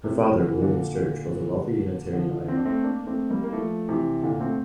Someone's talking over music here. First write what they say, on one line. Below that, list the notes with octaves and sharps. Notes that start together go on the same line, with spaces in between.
Her father, William Sturch, was a wealthy Unitarian ironmonger.
C3
D3
E3
A#2 D3
D3 F3
C4
D4
A3 C4
A#3 D4
A3 C4
G3 A#3
A#3
F3 A3
C3 E3
A#2 D3
A3 C4